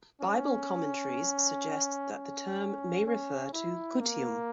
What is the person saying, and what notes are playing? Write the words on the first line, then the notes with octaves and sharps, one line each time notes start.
Bible commentaries suggest that the term may refer to Gutium.
C#4
C#4
C#4
E4
A#3